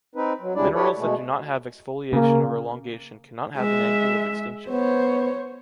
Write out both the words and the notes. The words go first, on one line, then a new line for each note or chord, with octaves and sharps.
Minerals that do not have exfoliation or elongation cannot have an angle of extinction.
C4 D#4 B4
F#3
D2 G3 G#3 D4 E4 D5
E4 G4 A4 B4 C#5 D5
B2 G#3 A3
C#3 A#3
G#3 E5
B3 C5 C#5